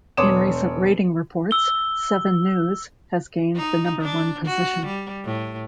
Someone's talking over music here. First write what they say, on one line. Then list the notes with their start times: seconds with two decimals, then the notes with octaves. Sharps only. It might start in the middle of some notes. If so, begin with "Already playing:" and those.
In recent ratings reports, "Seven News" has gained the number one position.
0.17 E1 C#5 C6 D6 D#6 E7
1.51 E6 G7
3.56 D#4
4.01 D4
4.45 F#4
4.86 G3
5.25 A2